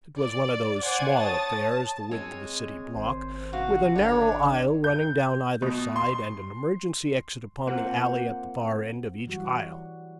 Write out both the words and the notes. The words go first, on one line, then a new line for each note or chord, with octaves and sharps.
It was one of those small affairs, the width of a city block, with a narrow aisle running down either side and an emergency exit upon the alley at the far end of each aisle.
D5
C5 D5 F#5 G#5 G#6
C#5 A5 D#6 A6
A5
G#3 C4 C#5 G#5
G#1 C5
C3 F#4 F5
G#1 D3 D4 C#5
G6
B2
C6
A#3 C4 F4 C5 F#5
E3 F#3 G3 F#4